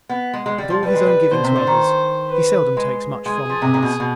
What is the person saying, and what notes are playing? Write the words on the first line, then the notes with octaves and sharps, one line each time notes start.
With all his own giving to others he seldom takes much from others.
B3
G#3
G#3
G3
F3
G3 B4
G#3
G3
B2 C5
C3
D3
D#3
B4
G#3
G#3 G#4
F3
C3
C3
B2
B2